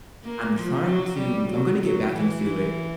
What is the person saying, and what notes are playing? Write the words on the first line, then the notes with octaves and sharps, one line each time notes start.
I'm trying to I'm gonna get back into it,
A#3
F3
F#3
G3
F#3
F#3
E3
E3